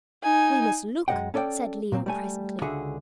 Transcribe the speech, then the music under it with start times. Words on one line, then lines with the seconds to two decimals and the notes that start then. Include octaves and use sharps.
"We must look," said Leo presently.
0.23 D#4 G#5
1.08 F#2 G#3 G4 D#5 F#5 G5
1.34 C#4 A4 D5 D#5 G5
1.92 A#2 F#3 C4
2.06 G3 A3 G#5
2.62 C#2 D3 F#4 G#4 E5